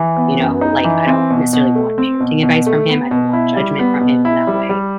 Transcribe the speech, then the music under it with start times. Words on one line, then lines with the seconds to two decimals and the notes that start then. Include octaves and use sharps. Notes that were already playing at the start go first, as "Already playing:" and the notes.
you know, like I don't necessarily want parenting advice from him, I don't want judgment from him in that way,
Already playing: E3
0.17 B3
0.40 F#2
0.61 D#4
0.84 E3
1.07 C4
1.30 B2
1.53 B2
1.75 A3
1.98 C4
2.20 B2
2.43 B2
2.66 A3
2.89 B3
3.11 B2
3.33 E4
3.56 G3
3.79 B3
4.01 B2
4.25 E4
4.47 G3
4.69 G3